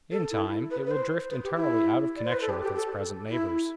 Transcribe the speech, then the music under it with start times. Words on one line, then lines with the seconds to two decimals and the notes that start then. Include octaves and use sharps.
In time it will drift entirely out of connection with its present neighbors.
0.11 A4
0.31 E4
0.71 B4
0.86 B4
0.91 C5
1.30 B4
1.44 G4
1.57 E4
2.16 D5
2.25 C5
2.33 B4
2.41 A4
2.49 G4
2.63 G4
2.76 A4
3.29 E4